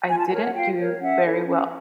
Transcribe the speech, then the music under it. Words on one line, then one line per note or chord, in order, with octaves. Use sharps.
I didn't do very well.
F4 G#5
A5
F#5 G#5
A#4 C#5
F#5
F4 F5 G5
A#4 C#5
C#4 E5 F#5
E4 A4 C#5
C#4